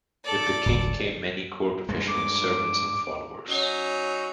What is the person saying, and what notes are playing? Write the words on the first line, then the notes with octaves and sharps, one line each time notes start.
With the King came many court officials, servants and followers.
A4 D5
D1 G1
G2 G#3
D6
F#3 C#4 D#4 F#4